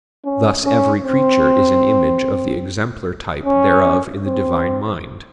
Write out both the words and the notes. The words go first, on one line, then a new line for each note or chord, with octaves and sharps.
Thus every creature is an image of the exemplar type thereof in the Divine mind.
C#4
C#4
C4
C#4
C4